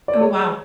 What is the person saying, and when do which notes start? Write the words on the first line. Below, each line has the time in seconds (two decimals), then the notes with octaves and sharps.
Oh, wow.
0.08 D5
0.20 G#3 C#5